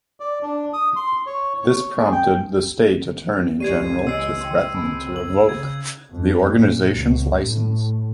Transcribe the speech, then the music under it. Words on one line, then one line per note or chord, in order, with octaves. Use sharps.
This prompted the state attorney general to threaten to revoke the organization's license.
D5
D4
D#6
C6
C#5
C#5
G#4
G5
C#2 E3 G#3 G4 D5 G#6 C7 D#7
C#5 D#5 G#5 E6 C7
G5 C6
C#2 C4 G#5 A5 B5
F#7
C#3 G#6
F2
A#2
C#2
A2